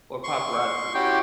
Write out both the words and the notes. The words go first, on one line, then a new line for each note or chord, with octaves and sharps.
Or Paparazzi?
C6 C#6
C#4 E4 F#4 G4 G5 C6